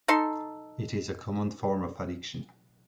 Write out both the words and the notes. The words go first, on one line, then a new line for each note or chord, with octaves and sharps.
It is a common form of addiction.
D#4 A4 C6